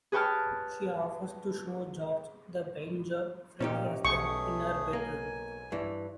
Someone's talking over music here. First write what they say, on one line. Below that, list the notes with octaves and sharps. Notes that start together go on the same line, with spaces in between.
She offers to show George the paint job Freddie has done in her bedroom.
G#4 B4 C#5 G5 A5 F6
A#2 C#4 D#4 G4
B1 A3 G#4 C#6
A#3 G#5
G2 E3